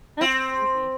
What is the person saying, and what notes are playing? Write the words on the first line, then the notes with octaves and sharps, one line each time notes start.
That's crazy.
C4